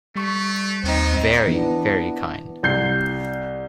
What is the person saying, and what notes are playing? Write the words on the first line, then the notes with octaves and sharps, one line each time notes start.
Very, very kind.
G3 A3 C#6 B6
D#2 B3 C4 D#4
E3 B3 D4
C2 G6 C7